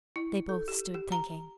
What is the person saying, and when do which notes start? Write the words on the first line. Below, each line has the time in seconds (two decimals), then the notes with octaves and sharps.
They both stood thinking.
0.16 E4
0.49 A4
0.68 G4
0.94 G4
1.12 A#5